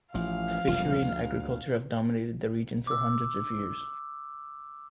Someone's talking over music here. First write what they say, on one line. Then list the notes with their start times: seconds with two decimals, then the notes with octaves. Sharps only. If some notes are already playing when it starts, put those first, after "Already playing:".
Fishery and agriculture have dominated the region for hundreds of years.
0.15 A1 F3 F5
0.68 E1 C2 F2 F4
1.02 D2
2.87 D6 E6